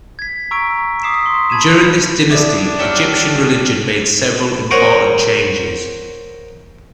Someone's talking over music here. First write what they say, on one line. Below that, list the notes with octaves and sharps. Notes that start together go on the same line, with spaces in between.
During this dynasty, Egyptian religion made several important changes.
G#6 B6
A#5 C#6 E6 B6 D7
D6 D#6 B6 C7 E7
C6
A5 B5 G#6 D#7 E7
B3 D4 E4 D5 D6
F#3 G3 E5 F6 C#7 E7
A#4 C5 C#5 D#5 F#5 A#5